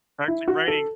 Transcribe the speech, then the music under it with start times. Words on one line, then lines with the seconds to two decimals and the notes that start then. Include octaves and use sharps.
actually raining
0.28 E4
0.48 F#4
0.68 A4